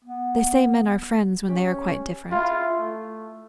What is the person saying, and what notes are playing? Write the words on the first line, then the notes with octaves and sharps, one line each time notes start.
They say men are friends when they are quite different.
B3
C#4 G4
E4 F4
A3